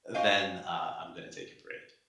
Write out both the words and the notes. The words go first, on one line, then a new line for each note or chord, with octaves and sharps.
uh, then, uh, I'm gonna take a break.
F#4 C5 D#5 F5 G5 G#5